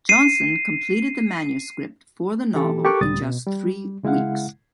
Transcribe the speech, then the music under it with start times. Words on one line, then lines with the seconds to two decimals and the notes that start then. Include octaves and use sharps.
Johnson completed the manuscript for the novel in just three weeks.
0.09 C7 D#7
2.54 E3 G4 A4
2.85 G4 A4 A#4 C#6 D6 F#6
3.01 C#2 A2 G3 D#6 A6
3.22 B2
3.46 G3
4.03 C#3 G#3 E4 F5 F#5